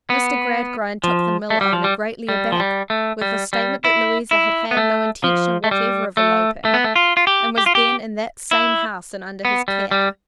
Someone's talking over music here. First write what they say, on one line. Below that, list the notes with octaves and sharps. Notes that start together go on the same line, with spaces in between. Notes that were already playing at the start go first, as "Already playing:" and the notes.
Mr. Gradgrind took the mill owner greatly aback with the statement that Louisa had had no intention whatever of eloping and was then in that same house and under his care.
B3
F3
A3
G3
F3
G3
G3
F3
G3
A3
G3
G3
E4
E4
B3
A3
F3
A3
G3
A3
A3
B3
A3
F4
F4
G4
G4
F4
G4
E4
B3
G3
G3